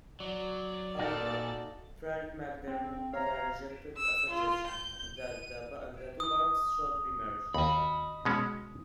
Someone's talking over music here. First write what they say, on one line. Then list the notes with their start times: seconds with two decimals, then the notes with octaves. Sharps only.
However, Frank MacDermot rejected a suggestion that the two parties should merge.
0.20 F#3 D5
0.99 A#2 D#4 F#4 A4 F5 A6
2.68 C4
3.13 C3 C#5 F5 A#5
3.97 E6
4.30 F4
4.67 G6
5.18 D#7
6.20 D#6
7.54 D#2 D#5 B5
8.25 B2 G#3 C#4